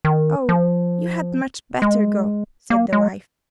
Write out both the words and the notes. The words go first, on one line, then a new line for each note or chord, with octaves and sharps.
'Oh, you had much better go,' said the wife.
D#3
F3
G#3
A#3
G#3